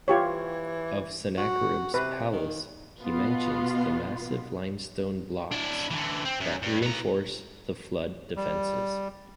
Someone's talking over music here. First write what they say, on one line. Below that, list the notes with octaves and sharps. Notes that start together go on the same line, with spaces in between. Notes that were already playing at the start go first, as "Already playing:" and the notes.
Of Sennacherib's palace, he mentions the massive limestone blocks that reinforce the flood defences.
E3 F4 G4 C#5
F#4
C3 B4
D#3
B2 B3 F4
D4 E4
D3 E3
C4
F#2
G2
B3 A#5
G3